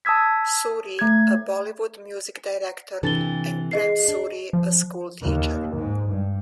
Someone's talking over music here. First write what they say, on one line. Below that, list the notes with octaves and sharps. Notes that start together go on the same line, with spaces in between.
Suri, a Bollywood music director, and Prem Suri, a schoolteacher.
A5 D#6 E6 G#6 B6
A3 G#6
C3 E3 D4 A4 A6 G7
G#4 D#5 C7
D4
F3
D#2
G#2
G2